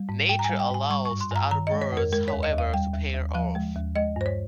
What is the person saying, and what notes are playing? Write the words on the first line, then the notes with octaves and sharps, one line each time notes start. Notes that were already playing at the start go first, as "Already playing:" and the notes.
Nature allows the other birds, however, to pair off.
Already playing: G3
G#2
G#2 G5
A#5
G#5
G3
G5
G#2 G#5
G3 C#6
C#6
G2
C6
G2 A#5
D#3 A#5
D#5
G#3
C#5
F2
A#4
G#3 A#4
C#5
D#2
D#5
D#2 F5
G3 G5
D#2
D#2
F3 F5
G#3
D#2
G#3 D#5
G2 C5
C#5